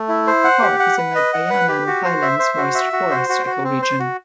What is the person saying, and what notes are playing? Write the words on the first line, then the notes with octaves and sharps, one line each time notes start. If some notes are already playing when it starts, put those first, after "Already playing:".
The park is in the Guayanan Highlands moist forests ecoregion.
Already playing: A3
E4
C5
F#5
G4
F#5
B4
D#5
F#5
B4
G4
F#4
C5
E5
C5
F#4
E5
F#4
C5
F#4
F#4
C4
C5
F#4